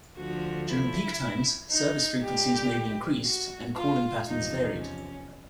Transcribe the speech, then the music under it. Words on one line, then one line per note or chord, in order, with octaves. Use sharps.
During peak times service frequencies may be increased and calling patterns varied.
D2 D3 F3 F#4
E4
D#4
A#2 G3 G4
F#4
F4
E2 C3 F3 D#4
C#4